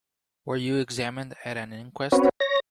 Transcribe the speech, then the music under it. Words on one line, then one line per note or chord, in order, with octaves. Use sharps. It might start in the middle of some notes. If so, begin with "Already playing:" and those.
Were you examined at an inquest?
C4 C#4 F#4 B4 C#5
C#5 A#6